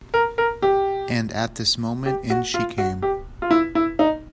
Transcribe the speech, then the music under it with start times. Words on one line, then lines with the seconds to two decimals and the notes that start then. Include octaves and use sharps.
And at this moment in she came.
0.14 A#4
0.38 A#4
0.62 G4
2.06 G4
2.30 F#4
2.54 F4
2.78 F#4
3.02 G4
3.42 F4
3.51 E4
3.75 E4
3.99 D#4